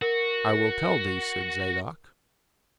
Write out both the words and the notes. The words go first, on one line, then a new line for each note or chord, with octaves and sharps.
"I will tell thee," said Zadok.
F#4 A#4